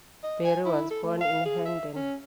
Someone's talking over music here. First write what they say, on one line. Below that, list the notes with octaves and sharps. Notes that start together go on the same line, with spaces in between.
Berry was born in Hendon.
D#5
G#5
E4
A4
A3
F5
G#4
E5
C#4